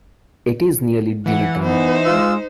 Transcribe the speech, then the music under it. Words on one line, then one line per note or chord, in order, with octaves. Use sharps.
It is nearly dinner-time.
E3 F#5
B3 D#4 C5
G#3 F4 E6